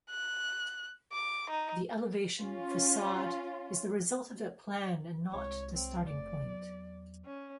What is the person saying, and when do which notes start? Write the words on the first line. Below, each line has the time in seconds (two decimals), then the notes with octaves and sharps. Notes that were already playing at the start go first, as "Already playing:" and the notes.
The elevation, facade, is the result of that plan and not the starting point...
0.10 F#6
1.13 D6
1.51 D#4
2.42 C#4 F4
5.32 C2 G#3 C#5
5.74 C4
6.08 F1 D5
6.42 E2 F#3
7.25 C#4